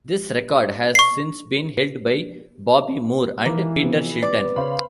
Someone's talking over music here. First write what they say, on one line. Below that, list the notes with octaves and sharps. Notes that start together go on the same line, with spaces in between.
This record has since been held by Bobby Moore and Peter Shilton.
C#6 C7
D#3 E3 A#3
C3 F3 B3
B4 D5
C#3 C5 F5 B5